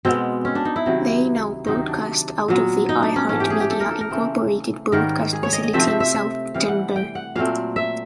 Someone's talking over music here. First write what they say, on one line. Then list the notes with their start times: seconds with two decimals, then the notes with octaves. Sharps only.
They now broadcast out of the iHeartMedia, Incorporated broadcast facility in south Denver.
0.05 B2 G#3 B3 C4
0.45 C#4
0.55 D4
0.65 D#4
0.76 E4
0.86 C3 D#3 F#3
1.66 C3 D#3 F#3 D#4
1.87 D4
2.48 A#2 F#3 B3
2.89 D#4
3.03 D4
3.16 C#4
3.29 G#2 E3 A3 C#4
3.40 G4
3.50 G#4
3.60 G4
3.70 A4
3.80 A#4
3.91 A4
4.01 A#4
4.11 C#3 E3 A3 C4
4.92 G#2 D#3 G3 A#4
5.33 G#4
5.43 C#5
5.53 D#5
5.63 D#5
5.73 C3 F3 A3 C4 E5
5.87 E5
6.00 E5
6.14 E5
6.54 C3 E3 G3 F5
6.68 F#5
6.96 G5
7.15 F#5
7.36 A#2 F#3 A3 C4 F5
7.76 E5